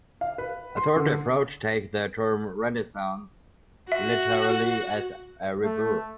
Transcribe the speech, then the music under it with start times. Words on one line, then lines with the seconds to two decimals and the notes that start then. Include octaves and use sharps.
A third approach takes the term "Renaissance" literally as a "rebirth".
0.21 F5
0.38 B4
0.77 C6
0.96 D3
3.92 F#4 E5
5.64 A3